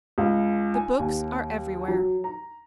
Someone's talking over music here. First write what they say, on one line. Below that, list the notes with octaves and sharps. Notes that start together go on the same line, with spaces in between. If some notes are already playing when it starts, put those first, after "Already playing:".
The books are everywhere.
C#2
G#5
D#2
F#3
A#5